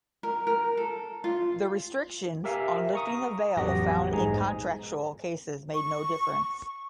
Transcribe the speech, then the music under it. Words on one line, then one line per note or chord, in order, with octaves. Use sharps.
The restrictions on lifting the veil, found in contractual cases made no difference.
A#4
A#4
A4
F4
G4 A#4 E5 F5 G#5
A#5 C#6 D#6
A1 F2 F#3 B3 G4 A#6
A#1 G#2 D#4 G#4 G#5 A#5
C#6